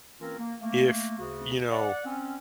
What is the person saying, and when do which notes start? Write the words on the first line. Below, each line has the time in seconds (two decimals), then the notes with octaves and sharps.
if, you know,
0.20 E3 A#3 C4 C#4 F4 A#4
0.38 A#3
0.61 A3 A#3
1.19 D2 C#3 F#4
1.70 D5 F#5
2.05 C4 C#4